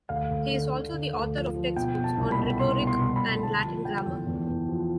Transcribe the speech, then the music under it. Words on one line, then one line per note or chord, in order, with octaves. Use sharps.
He is also the author of textbooks on rhetoric and Latin grammar.
D2 F5
D2
D3
D3
D3
D2
F3
F3
B2 G5
B2
A5
C2
B5
B2
C2 C6
B2
C6
C2
B5
B2
D3 A5
F3
D3 G5
E2
E2
E2
F3